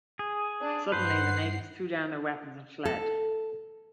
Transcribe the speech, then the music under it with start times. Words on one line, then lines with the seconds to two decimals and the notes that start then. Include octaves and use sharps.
Suddenly, the natives threw down their weapons and fled.
0.19 G#4
0.61 D4
0.92 G2 B4 C5 F#5 C7
2.85 A4